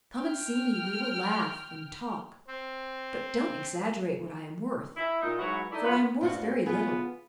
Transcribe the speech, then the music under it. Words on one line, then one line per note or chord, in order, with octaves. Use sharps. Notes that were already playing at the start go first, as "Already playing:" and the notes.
Come and see me, we will laugh and talk, but don't exaggerate what I am worth, for I am worth very little.
G5 F6
C4
E4
A#2 D#4 D#5
G#2 F#3 E4 F#4 B4 C#5
D#4 E4 A4 D5
F2 C#4 F4 B4
G2 C4 F4 F#4
B3 F4 G#4